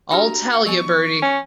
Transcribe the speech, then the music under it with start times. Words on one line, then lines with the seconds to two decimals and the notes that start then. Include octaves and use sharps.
I'll tell you, Bertie.
0.11 D4 F#4 G4 A#5
0.52 F#5
0.66 F3 B3 C#6
1.23 C#4